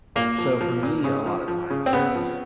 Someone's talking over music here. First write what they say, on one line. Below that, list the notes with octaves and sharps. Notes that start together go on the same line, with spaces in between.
So for me, a lotta times, it's
A#2 A#3
F3
F3
A#2
C#3
F3
F3
C#3
C4
C#3 B3
F3